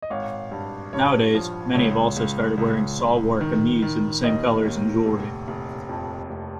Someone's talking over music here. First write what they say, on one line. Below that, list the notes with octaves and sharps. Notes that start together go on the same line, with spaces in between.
Nowadays many have also started wearing salwar kameez in the same colours and jewellery.
D#5
G#1 C#5 F5
G2
G2 C#5
F3
C#2 C#5
C#2
C#2
C#2
D#3
D#3
D#2 D#5
D#2
F1
F1
F2
F1